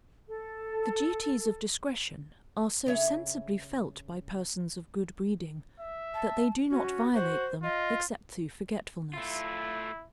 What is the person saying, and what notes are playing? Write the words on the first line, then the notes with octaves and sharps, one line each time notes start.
The duties of discretion are so sensibly felt by persons of good breeding, that they do not violate them except through forgetfulness.
A4
C#3 C#5 E5
E5
A5
C#4 F#4
F#4 C5
F4 D#5
A3 E4 F4